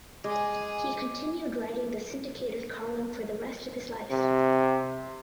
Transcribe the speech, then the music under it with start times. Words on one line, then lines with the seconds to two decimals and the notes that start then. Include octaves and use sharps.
He continued writing the syndicated column for the rest of his life.
0.24 G#3 G#4 G#5 D6
4.11 C3